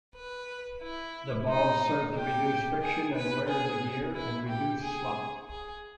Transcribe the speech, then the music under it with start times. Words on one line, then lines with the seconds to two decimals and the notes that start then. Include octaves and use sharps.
The balls serve to reduce friction and wear in the gear, and reduce slop.
0.15 B4
0.82 E4
1.48 D#4
2.15 G4
2.81 G#4
3.15 B4
3.47 G#4
4.14 E4
4.48 G4
4.81 G#4
5.48 G#4